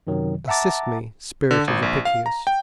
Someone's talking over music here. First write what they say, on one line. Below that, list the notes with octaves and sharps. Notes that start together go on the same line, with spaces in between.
Assist me, Spirit of Apicius!
F#2 C3 D#3 F#3
E5 F#5 A5 A#5 D6 A6
D3
G#1
A#1
F5
A#5
G5